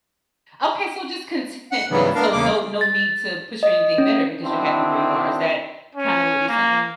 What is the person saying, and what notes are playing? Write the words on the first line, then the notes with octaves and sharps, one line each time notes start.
Okay. So just contentment. So no no need to push for anything better because you're happy where you are. Is that kinda what you're saying?
F#5
G#2 C#3 E3 F#3 G3 B3
B3 D4 A#4 F5
E2 C#3 A#3 D6
A6
D#5
C#4
D#3 C4 D4 E4 F#4
C#4
A#3